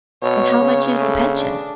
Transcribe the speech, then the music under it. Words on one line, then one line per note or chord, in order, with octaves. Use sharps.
"And how much is the pension?"
B2 C#5
C#3
A3
D4